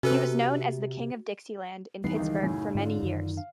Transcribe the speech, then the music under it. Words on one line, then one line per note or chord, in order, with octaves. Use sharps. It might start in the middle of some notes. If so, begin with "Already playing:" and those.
He was known as the "King of Dixieland" in Pittsburgh for many years.
C3 C#4 F#4 A4 B4
F1 E3 G3 B3 D#4 C7
C#2 D#3
F#2 A2 C#3
G#2 D3 C#4 F4
F#2 D#3
F5